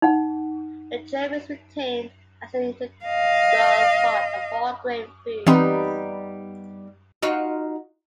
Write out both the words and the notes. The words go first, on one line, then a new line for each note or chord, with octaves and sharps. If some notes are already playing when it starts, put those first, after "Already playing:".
The germ is retained as an integral part of whole-grain foods.
D#4 F#5
D#5 F5
E3 G3 B3 C4 D#4
D#4 F4 F#4